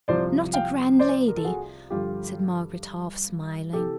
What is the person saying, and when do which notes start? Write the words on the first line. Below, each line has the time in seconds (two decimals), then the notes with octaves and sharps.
'Not a grand lady,' said Margaret, half smiling.
0.08 C2 C3 F3 C5 D5
0.53 F5 G5
0.99 C5 D5
1.28 A#4
1.37 A4
1.45 F#4 G#4
1.90 G2 D3 F3 F4 G4
3.73 C3 E3 G4 A4